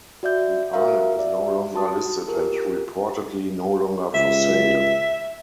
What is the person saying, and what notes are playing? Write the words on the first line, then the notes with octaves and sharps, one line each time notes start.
The Island is no longer listed and reportedly no longer for sale.
F#4 D5 E5 G6
F#4 A#4 E5 F5 A#5
F#4 D5 E5
F#4 A5 D#6
F4 G4 G#4 A#4
C#2 E5